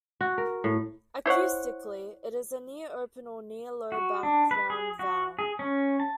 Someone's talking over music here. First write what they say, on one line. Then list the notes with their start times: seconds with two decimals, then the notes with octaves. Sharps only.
Acoustically, it is a "near-open" or "near-low back rounded vowel".
0.21 F#4
0.38 A#4
0.64 A2
1.26 E4 C5 C#5 F#5
3.92 F#4
4.23 D4
4.51 B4
4.70 G#4
4.99 F#4
5.39 G#4
5.59 C#4
6.00 A5